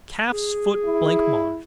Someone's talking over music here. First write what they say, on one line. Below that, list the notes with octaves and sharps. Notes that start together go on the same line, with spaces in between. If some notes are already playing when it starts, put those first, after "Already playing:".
Calf's Foot Blancmange.
G#4
E4